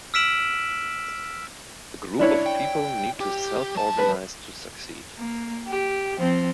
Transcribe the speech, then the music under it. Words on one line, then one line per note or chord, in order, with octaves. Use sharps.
A group of people need to self-organize to succeed.
E6 F6 B6 D7 E7 F#7
D4 E4 C#5
G5
G4
F#3 A5
B4
A#3
G4
F3 C4